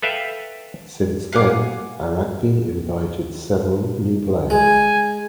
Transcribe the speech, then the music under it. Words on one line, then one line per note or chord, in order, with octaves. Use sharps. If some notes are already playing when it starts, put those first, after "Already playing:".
Since then Aragvi invited several new players.
A4 B4 E5 F5 G5
F5 F#5 G#5 D6
G#3 G#5